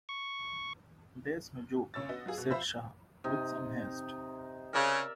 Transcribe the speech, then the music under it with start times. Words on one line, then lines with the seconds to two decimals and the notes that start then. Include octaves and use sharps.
"There's no joke," said Shah, with some haste.
0.09 C#6
1.94 A#1 C#3 C#5 E6 A6
2.09 B3 F#4 D#5
2.26 F#3 F4 G#4
2.38 B2
2.50 F3 C5 E5 F5 B5 E6
3.24 C3 D#4
4.73 C#3 A#4 D5 E5